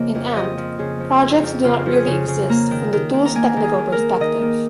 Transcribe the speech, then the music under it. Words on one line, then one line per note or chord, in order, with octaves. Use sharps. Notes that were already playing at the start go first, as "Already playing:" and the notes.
In Ant, projects do not really exist from the tool's technical perspective.
Already playing: C#3 F3 A#3 D#5
F2
F3 D#5
F3
C#3 G#4
F3
F2
F2
C#3 F4
F3
G#4
C#3
C#3
A#3 A#5
D#3
D#3
D#3
A#5
A#3 G#5
D#3
G#4
D#3
A#4
A#3
D#3 D#5
A#3